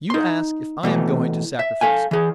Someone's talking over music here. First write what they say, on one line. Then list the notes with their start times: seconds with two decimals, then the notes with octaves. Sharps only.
You ask if I am going to sacrifice you.
0.10 D#4 C6
0.83 B2 E3 A3
1.59 E5
1.81 A4 F5 G#5
2.11 E3 G#4